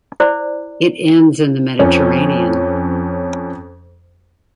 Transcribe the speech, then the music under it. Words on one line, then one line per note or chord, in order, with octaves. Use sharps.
It ends in the Mediterranean.
E4 G#4 C5 D5
F2 F3 C#4